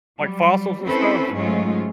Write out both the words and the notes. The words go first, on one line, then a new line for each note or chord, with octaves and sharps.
Like fossils and stuff?
F#3 G3
C4 C#4 E4 A4 B4 C5
G#2 F#3 G#3 A3 C#4 F4